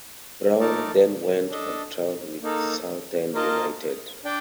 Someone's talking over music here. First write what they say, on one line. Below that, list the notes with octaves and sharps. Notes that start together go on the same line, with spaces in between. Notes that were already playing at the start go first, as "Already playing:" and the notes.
Brown then went on trial with Southend United.
A3 D#4 A#4 D5 A5
D4 A4 D#5
A#3 D#4 A4
A#3 F4 A#4 D#5 A5
D4 D5 G5